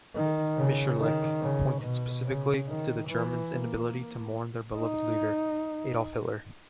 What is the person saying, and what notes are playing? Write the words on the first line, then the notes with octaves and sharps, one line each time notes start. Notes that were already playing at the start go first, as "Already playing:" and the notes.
Mitscherlich pointed specifically to the Germans' inability to mourn their beloved leader, Adolf Hitler.
D#3
C#3
D#3
C#3
B2
C#3
D#3
E3
A#3
D#4